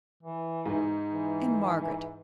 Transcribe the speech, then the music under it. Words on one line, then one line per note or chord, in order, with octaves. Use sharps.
And Margaret?
E3
G#2
E3